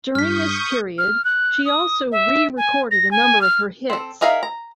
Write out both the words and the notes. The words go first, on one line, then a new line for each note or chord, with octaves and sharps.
During this period, she also re-recorded a number of her hits.
G2 C#6 D#6 F6 G6 B6
F6
F#6
D#6
E5
G#5
A#6
G#5
F6
C4 A4
D#4 G#4 A#4 E5 F5
A#5